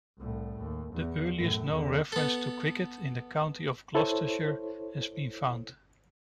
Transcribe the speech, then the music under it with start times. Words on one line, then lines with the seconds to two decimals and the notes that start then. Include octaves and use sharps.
The earliest known reference to cricket in the county of Gloucestershire has been found.
0.18 C2 A2
0.59 D#2
0.93 E2
1.37 F#2 A2
1.72 E2 D3
2.12 B3 A4
3.95 E4 A4 C5 C#5